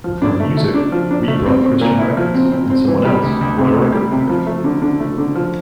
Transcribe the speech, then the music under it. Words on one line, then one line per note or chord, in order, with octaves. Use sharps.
For music, we brought Christian records and someone else brought a record player.
F3
D4
A3
A3
D4
F3
D4
A3
C4
C4
A#2
E4
F3
C4
C4
C4
E3
G3
D2
D2
C3
D2
G3
C3
F3
A3
D3
D3
A3
D3
F3